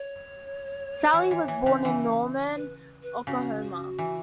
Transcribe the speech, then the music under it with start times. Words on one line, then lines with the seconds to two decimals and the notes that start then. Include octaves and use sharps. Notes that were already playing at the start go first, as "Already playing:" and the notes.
Salle was born in Norman, Oklahoma.
Already playing: C#5
1.13 E3
1.31 E3
1.48 E3
1.66 C#3
1.85 E3
2.56 B4
3.03 B4
3.27 C#3 F#4
3.63 F#4
3.98 E3